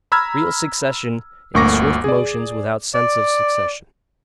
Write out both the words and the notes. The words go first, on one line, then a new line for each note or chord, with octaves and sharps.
Real succession in swift motions without sense of succession.
A#5 B5 E6 F6 G#6
G1 D2 A#3 C#6 D6 A#6
G#4 D5
D5